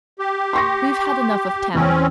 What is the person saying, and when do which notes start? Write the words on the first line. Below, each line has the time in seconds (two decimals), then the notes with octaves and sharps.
We've had enough of town.
0.19 G4
0.53 C6 C#6 A#6
1.75 E2 C4 C#4